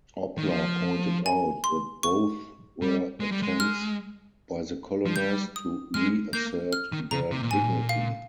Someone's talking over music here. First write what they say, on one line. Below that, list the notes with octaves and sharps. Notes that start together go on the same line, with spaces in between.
Opler pointed out that both were attempts by the colonized to reassert their dignity.
D#3
F3
G#5
C6
C#6
G3
G#3
G3
G#3
F6
F3
G3 G6
D#6
G#3 F6
A#3 G6
F6
D#3
C#3 A#5
C3
A#2
G#2 G#5
A#2
F5